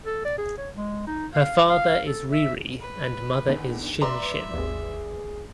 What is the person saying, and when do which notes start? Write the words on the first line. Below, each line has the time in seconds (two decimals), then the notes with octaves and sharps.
Her father is Ri Ri and mother is Shin Shin.
0.06 A4
0.24 D5
0.38 G#4
0.58 C#5
0.76 G#3
1.07 D#4
1.34 F5
1.70 F5
2.07 A4
2.31 E5
2.80 B4
3.47 E2 D3 D#3
4.01 B4 D5 E5 A#5 C6
4.54 G#1 D#2 G#4